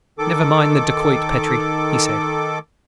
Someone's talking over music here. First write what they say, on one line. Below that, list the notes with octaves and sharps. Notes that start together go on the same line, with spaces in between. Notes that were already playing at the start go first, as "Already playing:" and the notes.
"Never mind the dacoit, Petrie," he said.
D#3 A4 D6